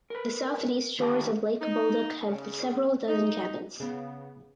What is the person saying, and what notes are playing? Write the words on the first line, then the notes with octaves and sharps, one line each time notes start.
The south and east shores of Lake Bolduc have several dozen cabins.
A#4 B4
D3 D#3 G4 F5 G5 A5
D#4
C#3
D#4
C#3 B3